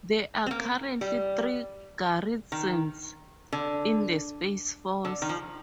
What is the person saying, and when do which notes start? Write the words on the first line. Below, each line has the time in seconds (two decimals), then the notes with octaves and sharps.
There are currently three garrisons in the Space Force.
0.46 C4
0.51 A#3
1.01 G3
2.52 D#3
3.53 D3
5.05 D3
5.22 D#3
5.29 F3